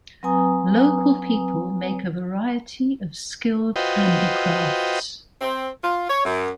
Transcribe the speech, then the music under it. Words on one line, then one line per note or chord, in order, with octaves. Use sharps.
Local people make a variety of skilled handicrafts.
F#3 C4 B4 G#5 A#5 D#6
F4 F#4 B4 C5 D#5 G5
C4
F4
C#5
F#2